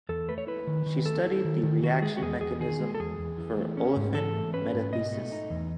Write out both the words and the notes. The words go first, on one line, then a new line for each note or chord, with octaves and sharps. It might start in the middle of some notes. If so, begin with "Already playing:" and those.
She studied the reaction mechanism for olefin metathesis.
E2 A4
A3 B4
C#5
E4 B4
D#3
D#3
A3 A4
E4
D#3
D#3
D#3 F#4
G#3 G#4
F#4
E2 G#4
E2 G#4
D#3 G#4
G#3
A4
E2 G#4
E2
E3
A3
C#4
G#2
E3 A4
A3
C#4 B4
G#2
B2 D#5
A3
D#4
E2